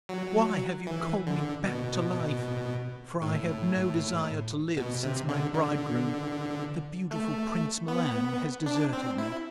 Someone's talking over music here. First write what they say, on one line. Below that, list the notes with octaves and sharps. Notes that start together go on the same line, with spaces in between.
'Why have you called me back to life? For I have no desire to live since my bridegroom, the beautiful Prince Milan, has deserted me.'
F#3
E3
D3
B2
A2
B2
C3
D3
D3
A3
B3
D4
C4
E4